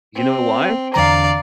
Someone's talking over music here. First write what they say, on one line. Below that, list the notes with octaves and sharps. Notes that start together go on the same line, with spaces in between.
you know why?
C4
E2 D3 D5 F5 A#5